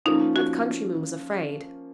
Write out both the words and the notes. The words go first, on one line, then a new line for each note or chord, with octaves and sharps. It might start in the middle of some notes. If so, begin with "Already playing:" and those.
But the countryman was afraid.
F3 A#3 C#4 D#4 F4 A#4
F#4